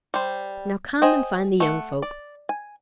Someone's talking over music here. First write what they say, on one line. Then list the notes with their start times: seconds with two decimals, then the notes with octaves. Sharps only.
Now, come and find the young folk.
0.14 G3 C5
1.02 G#4 C5 D#5 G5
1.60 A3 F#5
2.02 D5
2.49 G#5